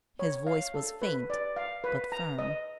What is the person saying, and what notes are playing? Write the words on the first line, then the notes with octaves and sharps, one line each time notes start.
His voice was faint but firm.
C#5
F5
A4
B4
D5
F5
B4
A#5
D#5